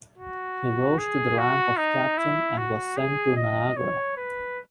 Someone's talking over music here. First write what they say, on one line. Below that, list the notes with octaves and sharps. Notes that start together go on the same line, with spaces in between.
He rose to the rank of captain and was sent to Niagara.
F#4
G#4
F#4
D#4
E4
F#4
G#4
D#5
C#5
B4